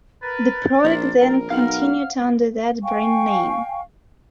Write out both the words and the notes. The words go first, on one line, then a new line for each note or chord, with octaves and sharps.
The product then continued under that brand name.
A#4 B4 A6
A#1 D4 A#4 C5
A#1 A#4
B1 F5 F#5 F6
F5 G5 G#5 C#6